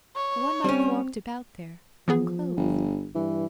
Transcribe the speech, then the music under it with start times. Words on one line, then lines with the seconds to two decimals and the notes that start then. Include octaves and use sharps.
One might have walked about there, unclothed.
0.16 C#5
0.64 G3 C4 C#4
2.08 E3 F3 B3 G#4
2.57 G1
3.15 G2 E3